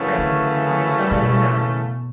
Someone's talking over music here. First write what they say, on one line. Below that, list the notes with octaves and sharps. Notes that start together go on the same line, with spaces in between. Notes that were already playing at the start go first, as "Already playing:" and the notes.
Spring.--On the summit of a mountain.
Already playing: F#2 C#3 E3 A3 C#4
D3
B2